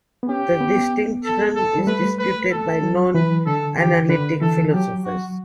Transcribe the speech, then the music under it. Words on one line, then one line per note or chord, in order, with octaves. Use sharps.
The distinction is disputed by non-analytic philosophers.
B3
C#4 G4
B3
A4
A4
G3
A3 B4
B4
A4
F#3
E3 B4
D3 A4
E3 G4
D3 B4
E3 A4
F#3 G4
F#4